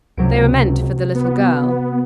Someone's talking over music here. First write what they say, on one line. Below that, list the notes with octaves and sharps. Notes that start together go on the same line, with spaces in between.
They were meant for the little girl.
C#2 C3 F#3 D7
B3